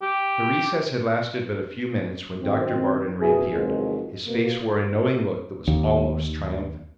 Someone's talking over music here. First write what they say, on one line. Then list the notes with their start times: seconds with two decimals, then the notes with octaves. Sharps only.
The recess had lasted but a few minutes, when Doctor Bardon reappeared. His face wore a knowing look that was almost triumphant.
0.02 G4
2.42 F#2 D#3 C4
3.20 C#2 B2 E4 G#4
3.53 E2 C3 D#3 F3 F#3 G#3
4.26 B2 A#3
5.67 D#2